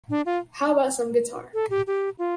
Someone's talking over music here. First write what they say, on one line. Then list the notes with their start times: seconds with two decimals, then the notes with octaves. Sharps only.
How about some guitar?
0.10 D4
0.26 F4
1.54 A4
1.70 G4
1.87 G4
2.19 F4